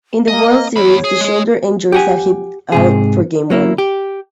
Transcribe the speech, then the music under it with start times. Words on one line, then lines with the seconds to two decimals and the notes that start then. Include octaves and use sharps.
In the World Series the shoulder injury sat him out for game one.
0.28 A#3 D#5
0.76 E2 C#5 B5
1.04 G#4
1.21 G#3 G#4
1.92 G4 F#5 G#5
2.72 G#2 C3 G#4
3.50 F#3 A#3 E4
3.78 G4